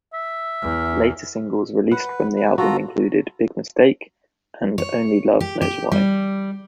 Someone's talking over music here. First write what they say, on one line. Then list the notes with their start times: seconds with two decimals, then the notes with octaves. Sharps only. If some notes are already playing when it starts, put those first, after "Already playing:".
Later singles released from the album included "Big Mistake" and "Only Love Knows Why".
0.13 E5
0.62 E2
1.92 B4 F#5
2.36 B4
2.58 F4 F#4 A4 A#5
4.78 C#5
5.41 G4
5.61 G4
5.92 G3